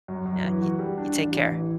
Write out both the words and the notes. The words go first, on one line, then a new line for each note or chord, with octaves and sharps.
Yeah. You you take care.
F#2
F#2
E3
F#4
G3
D4
A1
A1
E3